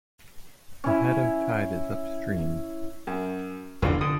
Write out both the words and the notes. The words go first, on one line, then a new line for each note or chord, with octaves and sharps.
The head of tide is upstream.
C#4 E4
F#2
F1 E2 D3 E3 F4
D3 D#6